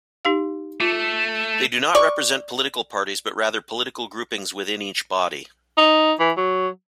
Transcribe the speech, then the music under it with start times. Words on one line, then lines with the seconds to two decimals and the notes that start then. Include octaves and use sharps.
They do not represent political parties but rather political groupings within each body.
0.25 D#4 G4 F5
0.80 A3 F4
1.95 D5 C#6
5.78 D#4
6.20 E3
6.37 F#3